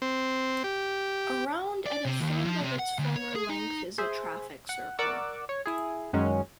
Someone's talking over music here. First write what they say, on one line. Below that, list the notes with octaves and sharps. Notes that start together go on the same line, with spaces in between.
Around at a third of its former length is a traffic circle.
C4
G4
D5
C3
D#2
F3
C3
F#5
D2
C#5
G#4
D#4
G#4 C5 E5
F#5
A#4 D5 F#5 C#6 D6 E6
C#5
E4 G#4
F#2 D#3 F#3 G#3 C#4